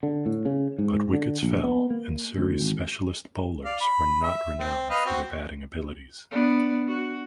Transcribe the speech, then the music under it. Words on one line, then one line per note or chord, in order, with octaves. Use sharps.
But wickets fell, and Surrey's specialist bowlers were not renowned for their batting abilities.
D3
A2
C#3
G#2
D3
A#1
B3
A#3
D2
G#1
D5 F5
B5
E5
C4
B4 D#5 F5
C4 F#4
B3 D4
F#4